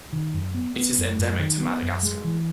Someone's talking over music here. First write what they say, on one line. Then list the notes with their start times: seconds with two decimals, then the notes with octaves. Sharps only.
It is endemic to Madagascar.
0.13 D#3
0.34 F#2
0.55 B3
0.76 B3
0.98 F#2
1.18 F#2
1.39 D#3
1.61 B3
1.82 F#2
2.03 G#3
2.24 E3